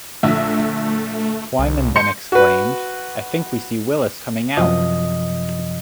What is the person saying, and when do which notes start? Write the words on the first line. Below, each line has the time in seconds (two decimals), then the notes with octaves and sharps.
Twyman then exclaimed: I think we see Willis coming out!
0.23 A#1 D3 A3 E5
1.59 C2
1.96 C6 G6 C#7
2.32 F#4 B4
4.57 F#2 C3 F3 D#5 D#6